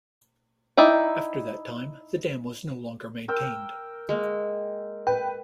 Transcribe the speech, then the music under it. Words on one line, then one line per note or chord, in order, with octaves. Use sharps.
After that time, the dam was no longer maintained.
D#4 E4 D5 G5
A#4 G5 E6
G#3 A#3
B4 G5